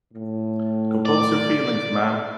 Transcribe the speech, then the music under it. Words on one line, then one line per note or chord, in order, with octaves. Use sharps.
Compose your feelings, ma’am.
A2
D5